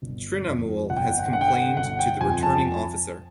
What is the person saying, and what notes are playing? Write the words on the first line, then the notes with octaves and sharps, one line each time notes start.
Trinamool has complained to the Returning Officer.
G1
F2
G1 F#5
G5
F#5
G5
F#5
G5
D3 F#5
G5
F#5
G1 F#5
G5
F2 G#5
A5